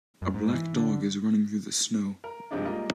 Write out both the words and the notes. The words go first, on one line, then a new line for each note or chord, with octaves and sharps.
A black dog is running through the snow.
F#2
G#2
E3
D3
A#4
G2 C3 F3 G#3 D4 D#4
G3 G#3 A#3 F4 A#4 D#5